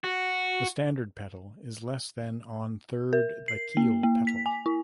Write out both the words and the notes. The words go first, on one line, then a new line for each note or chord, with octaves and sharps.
The standard petal is less than on third the keel petal.
F#4
A#4
C7
A#3
A#3
B6
G#5
E4